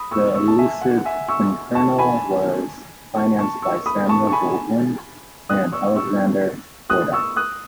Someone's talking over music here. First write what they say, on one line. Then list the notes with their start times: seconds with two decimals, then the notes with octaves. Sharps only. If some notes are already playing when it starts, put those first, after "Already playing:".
"The Elusive Pimpernel" was financed by Samuel Goldwyn and Alexander Korda.
Already playing: B5 D#6
0.11 C#6 E6
0.34 C#6 E6
0.48 A5
0.58 E5 G#5
0.82 F#5
1.05 E5 G#5
1.28 C#6 E6
1.75 A5 C#6
1.99 G#5 B5
3.16 A5 C#6
3.39 A5 C#6
3.62 C#6 E6
3.86 B5 D#6
4.09 A5 C#6
4.27 C#6
4.32 G#5 B5
5.49 D#6 F#6
5.72 C#6 E6
5.96 C#6 E6
6.90 D#6 F#6
7.13 C#6 E6
7.36 D#6 F#6